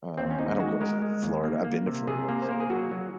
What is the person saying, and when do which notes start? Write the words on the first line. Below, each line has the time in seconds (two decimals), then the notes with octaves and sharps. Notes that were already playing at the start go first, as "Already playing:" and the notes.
um, I don't go to Florida. I've been to Florida,
0.18 D#2 C4
0.30 C#4
0.39 D#2 D#4
0.60 G#3 F#4
0.81 G#3 A#4
1.02 G#3
1.22 D#2
1.44 A#3
1.64 A#3
1.87 C3
2.07 C3 G#4
2.29 A#3
2.42 C5
2.49 A#3 A#4
2.60 G#4
2.70 F#3 F#4
2.91 F#3